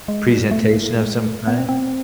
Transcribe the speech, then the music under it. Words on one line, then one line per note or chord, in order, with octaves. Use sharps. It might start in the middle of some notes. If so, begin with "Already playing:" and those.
Presentation of some kind?
G#3
G3
A3
A#3
G#3
A3
B3
C4
C4